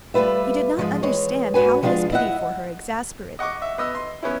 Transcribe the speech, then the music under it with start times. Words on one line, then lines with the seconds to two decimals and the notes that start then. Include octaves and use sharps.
He did not understand how his pity for her exasperated her.
0.14 G3 A3 F4 B4 E5
0.77 G#2 F3 G#3
1.03 E3 G#3 C#5
1.54 G#2 F#4 B4 G#5
1.83 F3 G#3 B3 D4 F4
2.12 E4 D#5 E5 F#5
3.39 D#5 F#5 C#6 D6
3.62 E5
3.78 B3 D#5 E6
3.95 C6
4.23 B3 C#4 E4